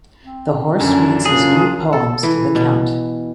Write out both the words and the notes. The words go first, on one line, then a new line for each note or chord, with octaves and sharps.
The horse reads his new poems to the Count.
C4
F#2 A#2 D3 C#4 D4
A#3 C#4 D4 F4 G#4
A4
E3
B2